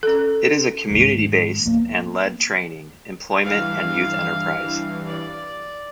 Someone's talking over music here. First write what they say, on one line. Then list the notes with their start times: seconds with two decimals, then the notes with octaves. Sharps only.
It is a community-based and led training, employment and youth enterprise.
0.03 C#4 A4
0.90 G#2 D#3
1.65 A#3 B3
3.44 G2 E3 F5
5.06 D5